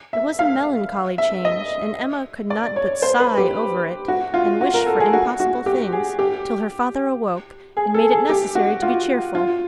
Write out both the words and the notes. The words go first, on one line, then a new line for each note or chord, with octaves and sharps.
It was a melancholy change; and Emma could not but sigh over it, and wish for impossible things, till her father awoke, and made it necessary to be cheerful.
E5
F5
E5
D#5
D5
C#5
C5
B4
G4
F#4
F4
F#4
A#4
A4
G#4
F#4
F#4
G4
G#4
G4
G#4
A4
G#4
G4
F#4
F4
F4